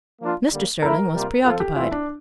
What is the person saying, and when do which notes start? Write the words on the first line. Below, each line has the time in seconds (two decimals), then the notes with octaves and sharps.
Mr. Sterling was preoccupied.
0.21 F3 A#3 D4 F4
0.51 D3 G3 A#3
0.82 F3 A3 E4 A#4
1.14 C3 G3 A#3 F4
1.45 F3 C4 F4 A4
1.60 G4
1.76 E3 A3 C4 E4 F4
1.91 D4